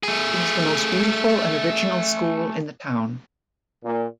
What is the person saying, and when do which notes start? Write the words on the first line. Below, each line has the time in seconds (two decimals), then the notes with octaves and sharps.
It is the most beautiful and original school in the town.
0.03 A3 G#4
3.84 A#2